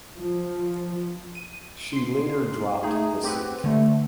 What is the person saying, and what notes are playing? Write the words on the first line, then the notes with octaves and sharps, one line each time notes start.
She later dropped the suit.
F3
D#7
C6 C7
A3 D#4 G#4
C4 G4 B4 F#5
D3 A3